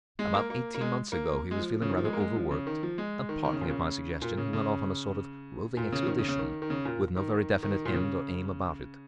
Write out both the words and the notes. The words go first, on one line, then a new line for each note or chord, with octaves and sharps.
About eighteen months ago he was feeling rather overworked, and partly at my suggestion he went off on a sort of roving expedition, with no very definite end or aim about it.
G#3
A#3
A#3
A#3
G#3
A#3
G#3
F3
C#3
D#3
F3
G#3
A#3
G#3
F3
C#3
D#3
F3
G#3
D#3
D#3
C#3
A#2
C#3
A#2
C#3
C#3
A#2
C#3
F3
D#3
C#3
C#3
D#3
D#3
C#3
A#2
D#3
D#3
A#2
C#3